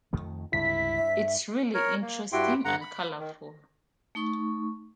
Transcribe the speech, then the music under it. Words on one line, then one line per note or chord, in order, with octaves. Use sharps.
It's really interesting and colorful.
F2 D#3 A3
C#2 G2 C3 E4 B6
G2 E5
A#4 C#5
A#3
G2 E4 F#4 G4 G5 C6
G2 D3 F#5 A#5
B5
D#3
A3 D#4 C#6